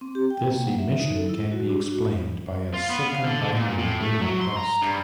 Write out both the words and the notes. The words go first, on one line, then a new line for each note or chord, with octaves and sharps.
This emission can be explained by a circumbinary ring of dust.
C4
G4
G5
A#3
F#5
E5
D#4
A4
E4
F#4
D4
F#4
F4
B3
F5
D3
D3
A#2
A2
A3
F#3
C6
A#5
G2